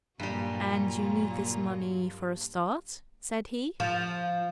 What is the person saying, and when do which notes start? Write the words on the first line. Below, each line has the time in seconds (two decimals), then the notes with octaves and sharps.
"And you need this money for a start?" said he.
0.20 G2 A#2 F#3 G3 A#3 F4
3.80 F3